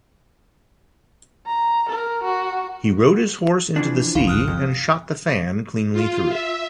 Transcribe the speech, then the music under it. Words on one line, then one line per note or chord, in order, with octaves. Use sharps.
He rode his horse into the sea and shot the fan cleanly through.
A#5
A#4
F#4
E3 F3 D4
G1 C#2 F5
D#6 F6 F#6
F2
F4
E5